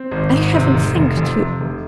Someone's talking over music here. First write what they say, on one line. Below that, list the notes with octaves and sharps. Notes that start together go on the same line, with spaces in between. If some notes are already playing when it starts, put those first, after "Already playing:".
"I haven't thanked you."
Already playing: C4
G#1
G#2
C3
F1
F1
F2
C3
F1